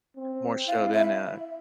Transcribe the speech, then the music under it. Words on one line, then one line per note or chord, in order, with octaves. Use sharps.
more so than, uh,
C4
E4 F5
E5